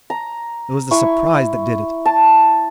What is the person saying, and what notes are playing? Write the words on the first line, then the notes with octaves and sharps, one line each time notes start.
It was the surprise that did it.
A#5
E4 C#6
A5